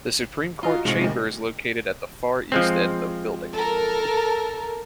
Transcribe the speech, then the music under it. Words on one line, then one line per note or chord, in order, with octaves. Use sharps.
The Supreme Court chamber is located at the far east end of building.
F4 F#4 D#5 A#5
A2 C3 F3 G#3 D#4
D2 D#3
F3 G#3 C4
A4 A#4